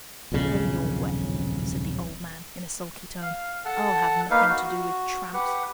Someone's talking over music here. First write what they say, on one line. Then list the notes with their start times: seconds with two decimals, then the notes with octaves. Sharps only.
'Go your way,' said the old man in a sulky tone, 'I'll have nothing to do with tramps.
0.32 D#1 B1 F2 C#3
3.22 F5
3.65 A4 F#5 A5
4.30 A#3 D#4 B4 F5
4.49 F#4
5.34 G4 B4 F#5